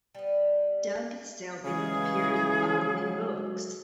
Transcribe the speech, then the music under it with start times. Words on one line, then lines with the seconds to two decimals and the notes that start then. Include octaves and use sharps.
Doug Selby appeared in the following books.
0.15 G3 B3
1.64 C#3 E3 G#3 G#4
2.76 F#3 G#3